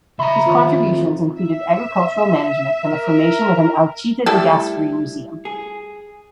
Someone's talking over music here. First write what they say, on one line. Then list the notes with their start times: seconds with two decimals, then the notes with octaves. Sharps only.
His contributions included agricultural management and the formation of an Alcide De Gasperi museum.
0.19 C#3 D#5 E5 A#5 B5
0.46 A2 D#3 F3
0.83 F2
1.38 E5
2.85 A#4
4.26 G3 A3 E4 A4
4.48 E4
5.45 G#4